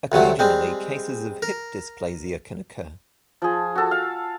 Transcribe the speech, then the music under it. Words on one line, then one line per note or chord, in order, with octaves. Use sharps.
Occasionally, cases of hip dysplasia can occur.
D2 C3 F#3 A3
G3 G#3 C4
A#4
F3 G#4
F#4 A4
F5